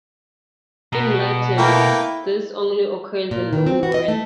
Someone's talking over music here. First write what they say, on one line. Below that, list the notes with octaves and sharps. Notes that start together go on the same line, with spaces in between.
In Latin, this only occurs in loanwords.
B2 A#5
A3 A#3 E4 A#4 B4 G5
A#2
D#3
C4
F#4
D#5
A3